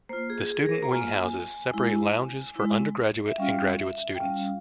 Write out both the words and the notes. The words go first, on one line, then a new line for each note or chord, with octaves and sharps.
The student wing houses separate lounges for undergraduate and graduate students.
A#3 F4 C5
G#4
G#4
A#4
C5
A#5
A#3 F4 G#5
G#3 E4
G#3 E4
E5
G3 C#4 F4 F5
E5
G5
G3 C#4 F4 F5